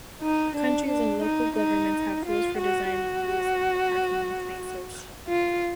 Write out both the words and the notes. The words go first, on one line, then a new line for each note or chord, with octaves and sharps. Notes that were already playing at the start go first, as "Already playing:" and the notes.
Countries and local governments have rules for design and use of parking spaces.
D#4
D4
D4
D#4
D#4
F4
F#4
F#4
F4